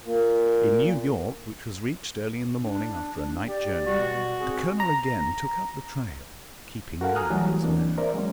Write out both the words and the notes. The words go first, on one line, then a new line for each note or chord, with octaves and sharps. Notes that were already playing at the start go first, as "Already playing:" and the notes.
In New York, which was reached early in the morning, after a night journey, the colonel again took up the trail, keeping near his man.
A#2
D4
G4 D5
G3 F#4
B2
C4 G#4
A#5
F#4 A4 A#4 F5 F#5
G#5 A#5 D#6 F6 F#6
E3 F#3 G3 A3
E3 A#3 C4 D4
A#4 C5 D5 E5
F#3 G#3 A#3 C#4